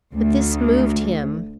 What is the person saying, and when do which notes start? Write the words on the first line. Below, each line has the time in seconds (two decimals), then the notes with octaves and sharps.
But this moved him.
0.13 D2